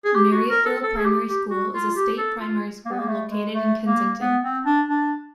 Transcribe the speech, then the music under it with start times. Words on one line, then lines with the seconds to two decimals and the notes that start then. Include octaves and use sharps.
Marryatville Primary School is a state primary school, located in Kensington.
0.05 G#4
0.15 G4
0.32 F#4
0.50 A#4
0.66 A4
0.83 A4
0.96 G#4
1.05 G4
1.28 G4
1.50 F#4
1.73 F4
1.96 G4
2.18 A4
2.41 F4
2.85 A#3
2.92 B3
3.00 A#3
3.08 A3
3.31 G#3
3.53 A3
3.87 A#3
4.21 B3
4.44 C4
4.66 D4
4.89 D4